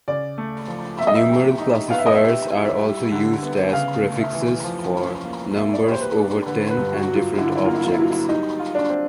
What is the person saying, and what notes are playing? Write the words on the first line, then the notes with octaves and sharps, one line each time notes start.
Numeral classifiers are also used as prefixes for numbers over ten and different objects.
C#3 D5
A3
F3
A#3 E5
D#5
E5
G4
D#4
B3 F5
E5
D#5
E5
G4
E4
G3
D3
B3
C#3 F5
A3
E5
E3
F3
C#4
A#3
A#3 E5
D5
G4 C#5
C5
B4
D4
D3 B4
B4
G2
F#4
F#3
F4
D3 E4
F4
E4
A#3 F4
E4
F4
E4
F#3 F4
E4
G3 D#4
F4
D4
C4